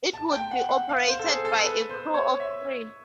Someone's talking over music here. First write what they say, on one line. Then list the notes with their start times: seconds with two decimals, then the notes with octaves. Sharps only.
It would be operated by a crew of three.
0.13 A5
0.32 G5
0.51 F#5
0.69 F#5
0.89 F5
1.08 C5
1.19 A4
1.26 G#4
1.45 A4
1.64 B4
1.89 C5
2.14 C#5
2.40 E5